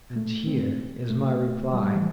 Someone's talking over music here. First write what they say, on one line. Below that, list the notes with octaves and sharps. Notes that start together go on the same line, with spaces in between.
"And here is my reply."
A3
C4
A3
G3
G3
E3